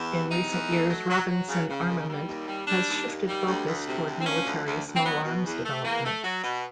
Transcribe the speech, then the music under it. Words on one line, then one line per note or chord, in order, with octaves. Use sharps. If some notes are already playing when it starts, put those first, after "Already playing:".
In recent years Robinson Armament has shifted focus toward military small arms development.
Already playing: E2
C3
E2 D#4
E2
A3
F#3
F#3
F#3
C#3
C#3
D#2
G3
D#2
G3
G3 D4
D#2
D#2
G3
D2
D2
C3
D2
C4
F3 C#4
D2
D2
D2
C4
F#3 B3
B2
E2
A3
E2 A#3
A3
F#3
B2